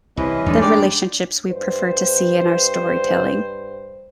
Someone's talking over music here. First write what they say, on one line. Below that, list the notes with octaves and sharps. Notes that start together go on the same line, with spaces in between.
the relationships we prefer to see in our storytelling?
C2 C3 E3 C#4 B4 D#5
E2 G#3 D4 D#4
A3 G4 C#5 D5
G2 B4 C5